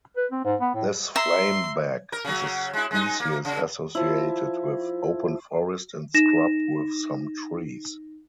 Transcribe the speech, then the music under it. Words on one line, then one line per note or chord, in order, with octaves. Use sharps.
This flameback is a species associated with open forest and scrub with some trees.
B4
C4
G#2
B3
A2
E5 A#5 C6
A#4
C#3 F#3
G#3 E4
G#3 D#4
A#3
C#3
F3 E4
D#4 A#6 E7